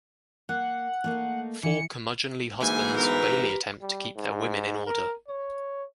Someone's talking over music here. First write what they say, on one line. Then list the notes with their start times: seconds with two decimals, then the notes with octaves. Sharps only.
Four curmudgeonly husbands vainly attempt to keep their women in order.
0.49 A#3 F#5
1.04 A3 A#3 D#4
1.63 E3 C#7
2.61 D2 G#2 E3 A#3 G#5
2.97 B3 A#4 B4
3.29 G4
3.81 G3
4.16 G#2
4.87 A#4
5.28 C#5